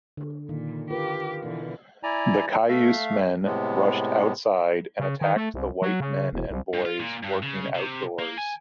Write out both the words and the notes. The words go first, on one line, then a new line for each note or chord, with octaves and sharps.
The Cayuse men rushed outside and attacked the white men and boys working outdoors.
D3
A#2 D#3
F4 G4 A#4 B4 D6
B2 D3 E3
E4 D5 G#5 A#5
A3 E5 F5
A2 C3 G#3 B3
C#3
D#3
A3
C2
F#3
C#3
E1
C2
G2
F4
A#2
G2
C#3
C3
A#3
G#5